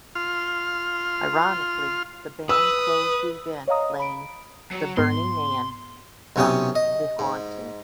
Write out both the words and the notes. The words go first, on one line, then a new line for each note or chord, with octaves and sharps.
Ironically the band closed the event playing "The Burning Man" from "The Haunting".
F4 C6 F6
B4 D#6 E6
C#5 D#5 F5 A#5 D#6
B5 D7
F#3 C#7
G#2 B3 C6
B1 C3 C#4 G5 D#6
D#5
G#2